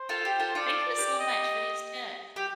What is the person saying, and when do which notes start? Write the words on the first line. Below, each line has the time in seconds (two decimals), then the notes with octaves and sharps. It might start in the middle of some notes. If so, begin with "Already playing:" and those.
Thank you so much for these tips and
Already playing: C5
0.09 F4 A4
0.25 G4
0.39 F4 A4
0.55 F4 A4 D5
0.98 G4
1.19 D#5
2.36 G4